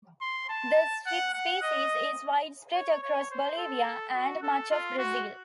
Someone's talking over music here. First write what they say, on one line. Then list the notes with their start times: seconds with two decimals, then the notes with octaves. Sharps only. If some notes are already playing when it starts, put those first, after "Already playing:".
The species is widespread across Bolivia and much of Brazil.
0.21 C6
0.50 A5
1.06 F#5
1.33 F#5
1.62 D#5
2.75 C#5
3.02 C#5
3.31 C5
3.58 A4
4.15 F#4
4.43 A4
4.71 F4
4.98 F#4